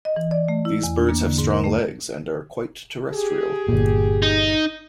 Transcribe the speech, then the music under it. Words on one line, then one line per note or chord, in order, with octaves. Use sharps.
These birds have strong legs and are quite terrestrial.
D#5
E3
D5
A3
E4
E2
D4
A#3
D3
G#2
A#4
A3
G4 G#4
G1 A#2
D#4